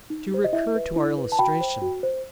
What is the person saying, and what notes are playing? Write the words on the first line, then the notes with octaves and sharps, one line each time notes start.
To recur to our illustration.
D#4
G4 C5
D#5
E4 E5
B4
E4
B4
A5
F#4 G5 B5
C5
F#4
C5